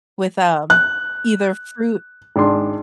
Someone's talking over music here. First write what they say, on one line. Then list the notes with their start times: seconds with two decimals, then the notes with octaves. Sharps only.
with, um, either fruit
0.70 F#6
2.36 G#1 D4 C6